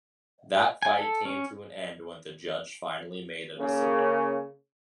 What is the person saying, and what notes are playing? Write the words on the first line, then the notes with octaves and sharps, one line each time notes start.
That fight came to an end when the judge finally made a decision.
G#5
A4
C#4
C#3 A#3